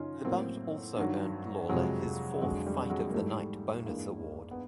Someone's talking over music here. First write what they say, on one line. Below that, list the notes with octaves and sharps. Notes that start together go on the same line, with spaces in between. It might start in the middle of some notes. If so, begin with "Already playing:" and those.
The bout also earned Lawler his fourth "Fight of the Night" bonus award.
Already playing: F#2 C#3 C#4 D#4 F4
A2 F#3 A#3 C4
G2 D#3 F#3
F2 C3 F3 F#3 G#3
F2 D3 F#3 G#3
G3
F#3 G#3
A#3
G#2 E3 G3 A3
G2 E3 G#3 A#3
B3